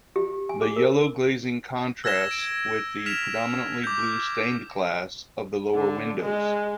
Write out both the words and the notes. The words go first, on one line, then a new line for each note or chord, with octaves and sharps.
The yellow glazing contrasts with the predominantly blue stained glass of the lower windows.
G4
G#5
G#4
A#4
E6 G#6 A#6 E7 G7
D7
F6 B6 E7 F7
D6 G6
D3
G#3